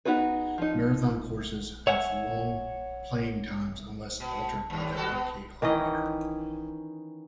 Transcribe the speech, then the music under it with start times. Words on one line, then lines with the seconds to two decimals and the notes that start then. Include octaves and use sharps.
Marathon courses have long playing times unless altered by the arcade operator.
0.05 B3 D#4 F#4 G#4 B4
0.58 F3 D#4
1.87 C#5 E5 F#5 G#5
4.20 B2
4.70 D#2 A2
4.96 G3 F#4 A4
5.12 B3
5.62 D#3 E3 C#4 D#5